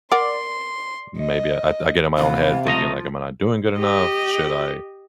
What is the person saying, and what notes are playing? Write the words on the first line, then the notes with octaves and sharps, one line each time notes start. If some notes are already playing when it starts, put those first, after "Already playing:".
maybe I I get in my own head thinking, like, "Am I not doing good enough? Should I
A#4 D5 F#5 C6
D#5
C3 E3 B3 F5
F3 A3 D#5 A#5
G4 D#5